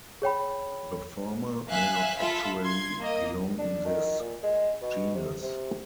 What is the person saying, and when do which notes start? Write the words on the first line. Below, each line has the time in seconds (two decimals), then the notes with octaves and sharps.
The former may not actually belong in this genus.
0.22 G#4 C#5 G5 B5
1.69 E5 F5 G#5 F#6
2.18 F4 A4 E5 B5
2.63 C6 G#6
2.99 A#3 D#5
3.59 D4
3.86 D#3
4.20 A#2
4.44 G#3
4.82 B2
5.15 C3
5.43 C3